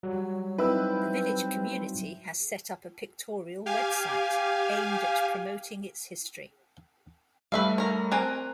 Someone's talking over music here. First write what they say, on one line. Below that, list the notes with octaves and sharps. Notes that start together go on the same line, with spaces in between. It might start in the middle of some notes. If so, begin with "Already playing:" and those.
The village community has set up a pictorial website, aimed at promoting its history.
F#3 G3 F#4
C4 D#4 E4 B4 E5 E6
G4 F5 G#5
G3 A3 B4 E5 F5
A#4 C#5
C4 A#4 G#5 F#6